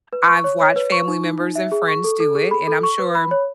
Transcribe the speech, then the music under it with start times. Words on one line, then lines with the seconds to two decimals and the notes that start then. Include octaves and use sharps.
I've watched family members and friends do it, and I'm sure
0.13 B4
0.28 C#6
0.44 C#5
0.60 C#5
0.76 B4
0.92 C#6
1.08 D#4
1.25 D#4
1.40 D#4
1.55 E5
1.72 G#4
1.88 C#6
2.04 A4
2.20 A4
2.35 G#4
2.51 B5
2.68 A4
2.83 C#6
2.99 B4
3.15 B5
3.31 C#5